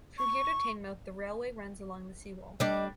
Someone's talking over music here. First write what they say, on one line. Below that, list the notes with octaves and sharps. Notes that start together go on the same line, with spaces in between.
From here to Teignmouth the railway runs along the Sea Wall.
C#6
G3 D4 D#5